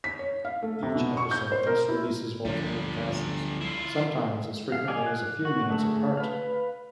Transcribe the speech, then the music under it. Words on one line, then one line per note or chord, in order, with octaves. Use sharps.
Each episode thus releases volcanic gases, sometimes as frequently as a few minutes apart.
B6
C#5
F5
A3
C3
B2
C#6
G6
C5
A#4
E4
D2 D3 F3 G3
E4 F4
F5
G#4 D5 D#5 F5 G#5
F#6
F#4
D3 A3 G#4
B4 F5